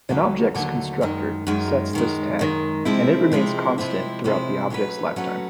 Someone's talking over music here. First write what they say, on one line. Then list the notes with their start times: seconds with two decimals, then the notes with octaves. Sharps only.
An object's constructor sets this tag, and it remains constant throughout the object's lifetime.
0.09 D#2 D3 F#3 A3
0.55 D#2 D3 F#3 A3
1.01 F#2 D#3 G#3
1.47 F#2 D#3 G#3
1.93 F#2 D#3 G#3
2.39 F#2 D#3 G#3
2.85 C3 F3 G#3 C4 E4
3.32 C3 F3 G#3 C4 E4
3.78 C3 F3 G#3 C4 E4
4.24 C3 F3 G#3 C4 E4
4.70 F#3 A3 C#4 F#4 B4
5.16 F#3 A3 C#4 F#4 B4